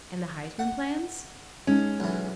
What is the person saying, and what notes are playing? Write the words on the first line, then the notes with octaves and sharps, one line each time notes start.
And the Huysman plans?
F#5
G#3 C#4 D#4
B1 E3